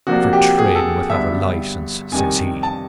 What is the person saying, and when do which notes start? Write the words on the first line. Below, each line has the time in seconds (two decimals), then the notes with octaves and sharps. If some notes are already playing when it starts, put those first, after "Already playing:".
For trading without a licence, says he.
0.07 C3 F3 A#3 D4 F#4
0.33 G4
0.59 G#4
0.75 A4
1.10 G2 D3 G3 B3 D4 E5
2.12 F2 C3 D#3 G3 G#5
2.63 A5